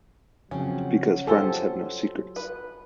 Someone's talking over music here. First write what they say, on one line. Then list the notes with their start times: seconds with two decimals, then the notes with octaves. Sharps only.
Because friends have no secrets.
0.51 C#3 F3 F#3 C4 C#4
1.27 C#4 F4 G4 A4 C5 C#5
2.36 B4